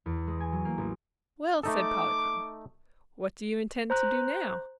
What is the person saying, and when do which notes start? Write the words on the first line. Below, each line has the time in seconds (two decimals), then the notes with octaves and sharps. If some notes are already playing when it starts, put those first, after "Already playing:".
"Well," said Polychrome, "what do you intend to do now?"
0.06 E2
0.27 G#3
0.40 G#5
0.52 F#3
0.65 A#3
0.78 A1
1.63 A3 D#4 A4 D6
3.90 C5 A#5 F#6